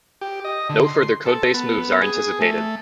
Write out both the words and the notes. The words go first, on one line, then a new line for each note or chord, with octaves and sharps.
No further codebase moves are anticipated.
G4
D#5
D3
C6
A4
B3
G#4
A3